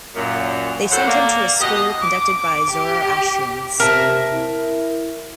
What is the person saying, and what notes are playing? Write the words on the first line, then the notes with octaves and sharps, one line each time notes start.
They sent him to a school conducted by Zoroastrians.
F#2 A#2
A2 F#3 A4 C5 F#5
A#3 D5
B2 G4 D#5
D6
G4
C3 A#4 E5 A5
E4